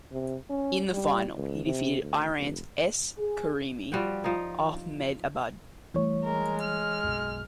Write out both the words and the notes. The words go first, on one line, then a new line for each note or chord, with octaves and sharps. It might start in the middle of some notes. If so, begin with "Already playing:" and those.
In the final he defeated Iran's S Karimi Ahmedabad.
C3
C#4
G3
C#2
C3
D2
F1
G#4
F3 G3 F#4 G5
F3 D#4
E3 G3 A3 C#5
G#3 A#4
F6
B1 F#2